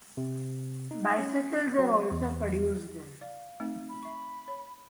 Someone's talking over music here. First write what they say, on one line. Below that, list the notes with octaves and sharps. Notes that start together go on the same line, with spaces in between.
Bicycles are also produced there.
C3
D#4
C#4
F#3
E2
D5 F5
A3 C4 D#4
B5
E5 C#6
C#5